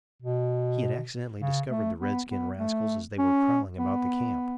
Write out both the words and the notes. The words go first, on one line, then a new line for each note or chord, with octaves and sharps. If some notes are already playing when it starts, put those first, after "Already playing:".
He had accidentally discovered the red skin rascals as they were prowling about the camp.
B2
C#3
A3
B3
B3
A3
C#4
B3